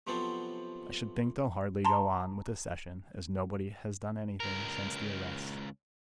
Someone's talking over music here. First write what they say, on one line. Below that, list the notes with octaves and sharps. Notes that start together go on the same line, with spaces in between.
I should think they'll hardly go on with the Session, as nobody has done anything since the arrest.
C3 F3 F#3 B3 C4 A4
A5 A#5 C6
C#2 A#4